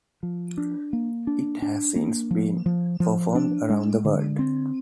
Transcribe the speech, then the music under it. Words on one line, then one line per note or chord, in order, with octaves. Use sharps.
It has since been performed around the world.
F3
D4
A#3
D4
D4
A#3
F3
F3
F3
D4
G#3
D3
C4